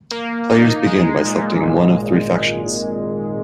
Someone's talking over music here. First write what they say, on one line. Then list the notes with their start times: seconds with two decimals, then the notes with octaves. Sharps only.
Players begin by selecting one of three factions.
0.11 A#3
0.49 D#4
0.87 G#3
1.25 A#2
1.63 G#1